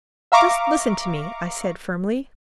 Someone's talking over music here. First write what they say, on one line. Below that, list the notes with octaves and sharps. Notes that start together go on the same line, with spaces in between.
"Just listen to me," I said firmly.
E5 F5 A#5 C#6 D6